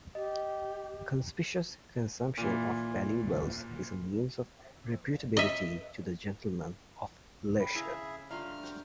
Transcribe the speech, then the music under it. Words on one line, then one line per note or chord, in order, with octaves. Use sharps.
Conspicuous consumption of valuables is a means of reputability to the gentleman of leisure.
G4 D#5
A#2 E3
D#5 E5
D4 G5 B5
C#3 E4 G#4 E5 A5 A#5
D3 G3 A3 F4 E5 F5 A#5 F6
C4 F#4